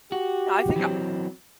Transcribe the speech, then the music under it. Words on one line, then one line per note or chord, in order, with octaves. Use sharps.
Yeah, I think I
F#4 G4
E3 F#3 C4